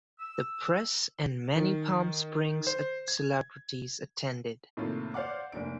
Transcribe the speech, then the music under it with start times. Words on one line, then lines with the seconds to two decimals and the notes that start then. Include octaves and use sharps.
The press and many Palm Springs celebrities attended.
0.19 E6
1.56 D#3
2.67 C5
3.08 G#6
4.77 A2 C3 D#3 A#3 F4 A4
5.14 C5 D5 F5 F#5 D6
5.52 F1 A#3 D4 D7